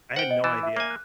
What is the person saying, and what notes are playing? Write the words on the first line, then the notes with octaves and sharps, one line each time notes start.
I had no idea.
C5 F#5 G5
D#5
E3 A6 E7
E5
A#3 G#5
F#6